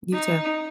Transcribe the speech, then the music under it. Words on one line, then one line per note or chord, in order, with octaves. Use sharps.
You too.
D#4